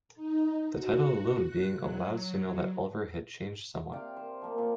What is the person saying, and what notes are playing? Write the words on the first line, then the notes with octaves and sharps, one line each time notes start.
The title alone being a loud signal that Ulver had changed somewhat.
D#4
F#4
F#6
F#3
F#3
C3 D5 F5 G5
C5
F3 A#3
A#2